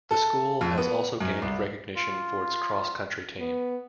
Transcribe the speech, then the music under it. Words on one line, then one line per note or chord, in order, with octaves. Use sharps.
The school has also gained recognition for its Cross Country team.
A4
F2
B3
F#2
C2
F4
B3